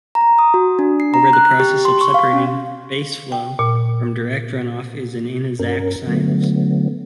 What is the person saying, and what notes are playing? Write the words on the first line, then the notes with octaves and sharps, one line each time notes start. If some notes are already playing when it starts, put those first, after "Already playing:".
However, the process of separating "baseflow" from "direct runoff" is an inexact science.
A#5
D#6
F#4
D4
C7
A#5
F#6
G4
C6
C#6
F5
C#4
G5
A#2
G2 C#4 A#4
D3 F#3 A3 B3